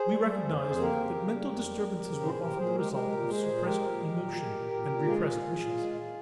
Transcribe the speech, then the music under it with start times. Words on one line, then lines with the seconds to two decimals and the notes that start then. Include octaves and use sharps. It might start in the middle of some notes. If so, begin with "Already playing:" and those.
We recognized that mental disturbances were often the result of suppressed emotion and repressed wishes.
Already playing: G#4 C5
0.08 G3
0.26 G3
0.44 F2
0.61 F2
0.79 A#3 G4 A#4
0.97 C#3
1.15 C#3
1.32 G3
1.50 F2
1.68 G3
1.86 F2
2.04 C#3
2.21 A#2 G#4 C5
2.39 A#2 G4 A#4
2.57 A#2 G#4 C5
2.75 G#3 G4 A#4
2.93 G#3 G4 A#4
3.11 A#2
3.28 G#3 G#4 C5
3.46 A#2
3.64 G#3 G4 A#4
3.82 A#2
4.00 G#3
4.17 A#2
4.35 G#3
4.53 A#2
4.71 A#2
4.88 A#2
5.06 G#3 F4 G#4
5.24 A#2
5.42 A#2
5.60 A#2
5.78 G#3
5.95 A#2